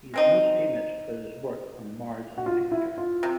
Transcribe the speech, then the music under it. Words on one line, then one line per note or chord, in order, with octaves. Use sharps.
He is most famous for his work on Mars and Jupiter.
G#3 C4 D#4
F#4
F4
E4
F4
C3